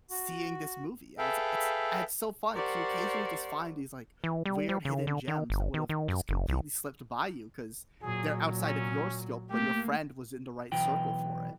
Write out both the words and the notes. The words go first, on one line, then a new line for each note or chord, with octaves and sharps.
seeing this movie, and it's it's it's so fun 'cause you occasionally just find these, like, weird hidden gems that would've just completely slipped by you 'cause they're outside of your scope, but your friend was in the right circle for it.
F#4
G#4 A4 B4 E5 F5 G5
G4 A#4 C5 D5 F#5 C#6
E3
G3
G3
C#3
D3
D#3
G1
D#3
D#3
F#2
F#1
C2
A#2 F#3 G#4
C#4
A3 A#3 G4
B1 E3 G5